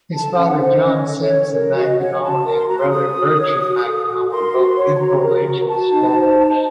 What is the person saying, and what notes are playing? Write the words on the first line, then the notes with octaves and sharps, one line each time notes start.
His father John Simpson Mackennal and brother Bertram Mackennal were both influential sculptors.
A4 A5
C#4 F#5
C5 F#5
C#4 D#5
A4
C#5
C#4
A#4 C#5
F#4 D#5
C#5 F#5
F#4 A5
A#4
C6
F#4 A#5
C6
A4 D#6
F#4
C#5
F#4
A4
F#4
A#4 C6
F#4
C#5
A5
F#4 A#5
A#4
F#4
F#4 A5
D#4
C5
D#4